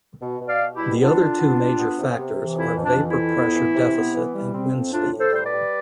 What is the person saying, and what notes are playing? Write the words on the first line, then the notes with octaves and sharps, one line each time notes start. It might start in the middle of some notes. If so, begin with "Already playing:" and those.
The other two major factors are vapor pressure deficit and wind speed.
B2
B2
D5 F5
B2
E4 G4
G3
B3 D4 F4
D3
B3
G3
B3
C3
C3
E3
F2 E4
F2
D4
E3
E4
F2
B3
E3
C3
B3
E3
G3
C4
F2
A2 D4 F4
A2
A4 C5
G3 C5
B4 D5
G3